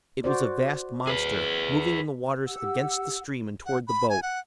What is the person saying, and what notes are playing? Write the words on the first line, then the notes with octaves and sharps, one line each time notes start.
It was a vast monster, moving in the waters against the stream and toward the boat.
F#4 C5 D5
G#4 B4
G4 F#5 E6
F#5
B5
G#5
F#5